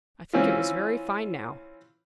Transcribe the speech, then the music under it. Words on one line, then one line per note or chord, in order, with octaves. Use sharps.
I think it was very fine now.
E3 C4 C#4 E4 F4